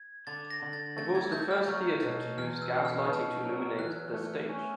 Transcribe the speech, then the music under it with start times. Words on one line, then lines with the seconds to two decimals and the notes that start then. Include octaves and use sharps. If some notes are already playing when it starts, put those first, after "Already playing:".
It was the first theatre to use gas lighting to illuminate the stage.
Already playing: G#6
0.27 D3 A6
0.50 A#6
0.62 D3
0.73 A6
0.97 A3 A6
1.15 G#6
1.32 A3 G6
1.51 F6
1.68 F#3
2.03 B2
2.38 E2 F6
2.62 E6
2.74 B2
2.85 F6
3.09 B2
3.44 F#3
3.79 E2 F#6
4.14 A3
4.49 C#4